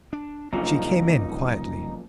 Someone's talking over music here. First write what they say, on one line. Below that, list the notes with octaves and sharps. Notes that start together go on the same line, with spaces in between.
She came in quietly.
D4
F#1 C2 F#2 A#2 F3 C#4 D#4